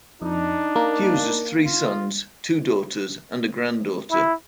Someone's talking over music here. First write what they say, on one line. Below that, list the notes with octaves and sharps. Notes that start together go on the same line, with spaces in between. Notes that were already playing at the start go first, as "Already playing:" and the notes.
Hughes has three sons, two daughters, and a granddaughter.
F2 D4 D#4
A#3
F4
E4